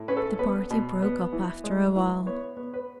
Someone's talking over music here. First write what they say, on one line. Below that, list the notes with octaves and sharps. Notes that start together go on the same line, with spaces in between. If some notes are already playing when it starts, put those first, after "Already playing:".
The party broke up after a while.
Already playing: A2
C#4 B4
A4
B3 B4
B2
B3
E3
G#3
E3
B3 C#5
B3
B4